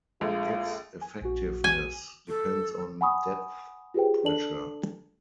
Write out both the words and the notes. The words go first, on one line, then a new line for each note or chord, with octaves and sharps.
Its effectiveness depends on depth pressure.
A#1 G#3 A3 F4
G#5
A#1 F#4
G#5
A4
F#5 G#5 B5 C#6 D#6
F4 G4 G#4 B4 C5 G5
D4 A4 D5 A5 F#7